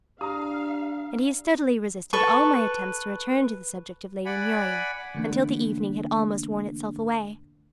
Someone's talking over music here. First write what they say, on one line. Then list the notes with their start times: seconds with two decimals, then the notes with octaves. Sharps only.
And he steadily resisted all my attempts to return to the subject of Lady Muriel until the evening had almost worn itself away.
0.21 D4 G4 F5 A#5 D#6
2.13 A4 B4 A5 C#6
4.26 D5 F#5 G#5 B5
5.15 D3 E3 A3 A#3 D4